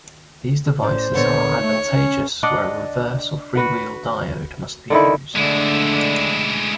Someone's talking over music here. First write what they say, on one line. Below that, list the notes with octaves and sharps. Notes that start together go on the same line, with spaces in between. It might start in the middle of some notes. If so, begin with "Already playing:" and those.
These devices are advantageous where a reverse or freewheel diode must be used.
A2 C#4 C5 D5
A#2 D3 B3 C#5
A3 D#4
C#4
D4 D5 D#5 F#5
F#4 B4 F#5
D3 D#3 E4
D3 G#3 A3 D4 E4